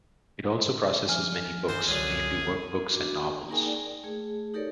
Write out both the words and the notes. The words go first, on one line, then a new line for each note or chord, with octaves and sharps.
It also processes many books, mainly work books and novels.
F3 G#5 F6
G2 E3 B3 C5 C6
C#2 F#2 D3 G#4 D#7
D4 F#4
A#3 D#4 G#4 A#4 G5 G#5
D5
A3 G#4
D#4 G4 A4 A#4 C#5 D5